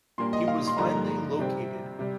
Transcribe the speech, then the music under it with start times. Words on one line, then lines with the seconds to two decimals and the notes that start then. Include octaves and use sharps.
He was finally located.
0.18 A#2 G3 A#3 D4 C6
0.33 D#5
0.48 F5
0.67 C6
0.78 G2 D3 F3 A#3 D#4 A#5
1.39 C3 G3 C4
1.99 C3 G3